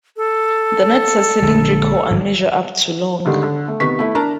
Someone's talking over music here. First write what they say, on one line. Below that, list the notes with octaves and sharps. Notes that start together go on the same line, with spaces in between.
The nuts are cylindrical and measure up to long.
A4
A#1 D3 G#3
G#1 G2
G#2 D3 D#3 G3
D3
A3
C3 D#3 B3 C#6 B6
A3 E4
D4 A#4 A5 A#5